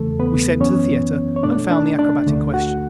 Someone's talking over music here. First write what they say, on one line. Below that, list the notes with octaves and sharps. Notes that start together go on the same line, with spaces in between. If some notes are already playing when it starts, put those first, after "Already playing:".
We sent to the theater and found the acrobat in question.
Already playing: E2 C#3 E3 A3 A4
B3 B4
F#2 E3 B3 C#4 C#5
C#5
B2 A3 D4 D5
D4 D5
D4 D5
D2 D3 A3
F#4 F#5